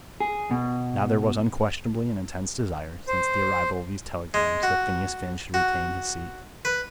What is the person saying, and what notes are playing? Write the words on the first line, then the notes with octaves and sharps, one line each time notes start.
Now there was unquestionably an intense desire,--since the arrival of these telegrams,--that Phineas Finn should retain his seat.
G#4
B2
C5
G#3
F#4
F#4
B4